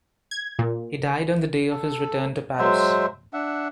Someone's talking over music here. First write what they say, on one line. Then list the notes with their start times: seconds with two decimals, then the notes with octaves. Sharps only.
He died on the day of his return to Paris.
0.31 G#6
0.59 A#2
1.71 A4
2.59 F#3 G#3 C5 E5
3.33 D4 E5 F#5